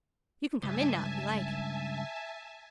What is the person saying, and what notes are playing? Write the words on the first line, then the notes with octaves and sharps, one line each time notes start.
"You can come in now, if you like."
C#2 G2 E5 G#5 A5